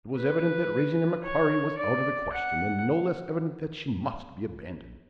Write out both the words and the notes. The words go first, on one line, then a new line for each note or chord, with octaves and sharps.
It was evident that raising the MACQUARIE was out of the question, and no less evident that she must be abandoned.
B4
C#5
D5
F#5